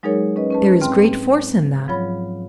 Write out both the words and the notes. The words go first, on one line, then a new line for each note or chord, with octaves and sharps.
There is great force in that.
F#3 G#3 D#4 G#4 A#4 C#5
C#4 B4 D#5
C#4 B4 A5
G#2 C4 G5 C6 F6
G#2 F3 F#3 F4 C#5 B5